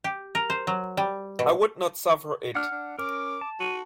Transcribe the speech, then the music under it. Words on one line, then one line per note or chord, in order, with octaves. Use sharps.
I would not suffer it.
G4
A#4
C5
F#3
G3
B2
D4 F#5 F6
D4
C#4 A#4 D6
A5
F#4 D#7